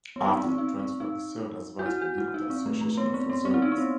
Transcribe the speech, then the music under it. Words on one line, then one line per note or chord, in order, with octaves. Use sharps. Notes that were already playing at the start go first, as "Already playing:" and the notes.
After the transfer, he served as vice-president of the Association of Reservists.
B3
D#4
C4
C4
D#4
C4
D#4
F#4
E4
F#4
E4
D#4
C4
A3
A3
B3
C4
B3
C4
E4
D#4
C4
B3